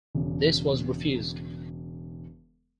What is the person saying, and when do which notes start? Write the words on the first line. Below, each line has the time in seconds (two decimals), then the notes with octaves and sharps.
This was refused.
0.15 E1 C#3